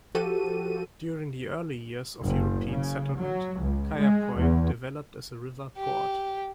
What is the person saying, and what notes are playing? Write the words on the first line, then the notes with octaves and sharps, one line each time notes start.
During the early years of European settlement, Kaiapoi developed as a river port.
F3 F#4 G4 A4 D#7
F#1
C#3
F#3
C#2
G#3
E2
G4